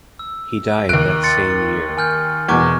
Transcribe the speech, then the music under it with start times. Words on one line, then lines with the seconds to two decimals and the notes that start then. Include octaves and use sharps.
He died that same year.
0.19 E6
0.89 D#2 F#6 D7
1.23 C6 A6 C#7
1.97 G#5 F6 G6
2.49 E2 B2 C#6 D6 G#6